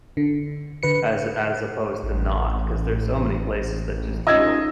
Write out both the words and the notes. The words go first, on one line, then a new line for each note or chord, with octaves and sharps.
as as opposed to not 'cause there's so many places that just feel
D3
D3 B4 C#7
A1
C#4 D#4 F4 D#5 E6 G#6